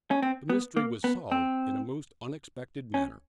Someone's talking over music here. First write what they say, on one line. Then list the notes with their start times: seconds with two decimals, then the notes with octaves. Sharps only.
The mystery was solved in a most unexpected manner.
0.11 C#4
0.22 C4
0.50 B3
0.77 A#3
1.04 B3
1.32 C4
2.94 C#4